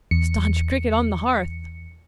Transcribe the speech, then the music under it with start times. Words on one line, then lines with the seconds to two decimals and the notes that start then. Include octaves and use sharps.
Staunch Cricket on the Hearth!
0.11 E2 C#7